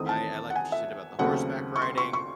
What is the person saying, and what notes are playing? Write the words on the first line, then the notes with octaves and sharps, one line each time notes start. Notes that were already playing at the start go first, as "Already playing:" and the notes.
I I like what you said about the horseback riding.
Already playing: E2 D#3 A3 C4 D#6
A5
F#5
G#5
E5
D#2 C#3 F#3 A3 C4 F#5
C#6
C6
C#6
C#6